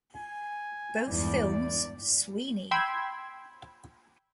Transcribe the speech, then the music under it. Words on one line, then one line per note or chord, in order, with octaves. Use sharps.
Both films, Sweeney!
G#5
G1 E2 G#2 D5
G5 B5 C6 E6 G#6